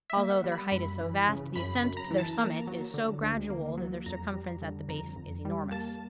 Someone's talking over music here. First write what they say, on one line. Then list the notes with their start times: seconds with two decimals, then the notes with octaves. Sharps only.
Although their height is so vast, the ascent to their summits is so gradual that their circumference at the base is enormous.
0.10 E5
0.17 A#3
0.30 F#5
0.44 G3
0.52 B5
0.72 F#2 B5
1.01 E3
1.28 C#3
1.56 F#2 B5
1.77 B5
1.84 F#2
1.97 A#5
2.11 E3
2.18 A5
2.39 A#3 A#5
2.67 F#3
2.94 D3
3.23 D2
3.50 A#3
3.78 F#3
4.06 F2 A#5
4.34 G3
4.62 D3
4.88 F2 A#5
5.16 F2
5.45 G3
5.72 A#3 A5